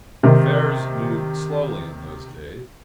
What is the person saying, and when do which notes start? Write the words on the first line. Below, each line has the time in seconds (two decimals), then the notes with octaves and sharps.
Affairs moved slowly in those days.
0.23 C3 D#3